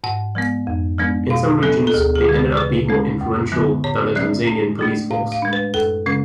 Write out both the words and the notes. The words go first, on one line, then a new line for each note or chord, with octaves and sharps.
In some regions they ended up being more influential than the Tanzanian Police Force.
G#2 F#5
F3 G#3 B3
F2
F3 G#3 B3 D4
B2 F5
F#3 B3 D4 A4
A4
D2 G#4
G#4
D3 G#3
B4
C#3 B4
G#3 C#4
F#2
D3 F#3 B3
A2 C#5
F#3 C#4 D5
A2
F3 A3 D4
A2 F5
F5
G#3 D4
B4
F#2 A4
C#3 G#3 C#4